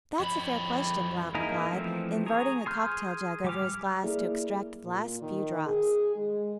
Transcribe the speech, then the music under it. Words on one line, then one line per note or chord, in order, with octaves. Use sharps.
"That's a fair question," Blount replied, inverting a cocktail jug over his glass to extract the last few drops.
F2 B5
A#3 D#4 E4 G#4 A#4
E3 F3 A3 C4
G#4 A#5 C#6
G#4 C6 F6 G6
G3 D6 F6
A#3 E4 G#4 D5
A#2
D#3
G#4
G#3